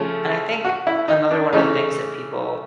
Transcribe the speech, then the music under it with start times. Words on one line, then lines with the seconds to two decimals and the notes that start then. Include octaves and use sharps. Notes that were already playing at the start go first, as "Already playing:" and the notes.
And I think another one of the things that people
Already playing: C#3 F3 A3 C#4
0.65 F#4
0.87 E4
1.08 D#4
1.30 D4
1.53 C#3 E3 A3 C#4 D#4